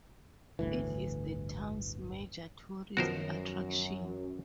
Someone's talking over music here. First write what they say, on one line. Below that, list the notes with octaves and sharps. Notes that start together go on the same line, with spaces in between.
It is the town's major tourist attraction.
G1 D2 A2 E3
F#2 D#3 F3 B3 F#4 A#4 C5